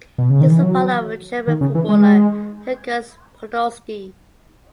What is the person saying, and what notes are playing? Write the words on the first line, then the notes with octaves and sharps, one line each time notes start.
He is the father of German footballer Lukas Podolski.
B2
C#3
D#3
E3
F#3
D#3
C#3
E3
G#3